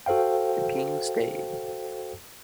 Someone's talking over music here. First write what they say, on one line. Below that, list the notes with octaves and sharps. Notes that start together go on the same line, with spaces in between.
The King stayed.
F#4 A4 C5 F5 G5